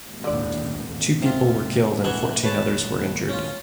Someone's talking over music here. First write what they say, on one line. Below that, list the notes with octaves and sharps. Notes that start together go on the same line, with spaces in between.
Two people were killed and fourteen others were injured.
D#2 A2 D3 D5
C3 F4
E3 A3 G#4 D#5 F#5 G#5
B4 C#5 A5
C#4 F4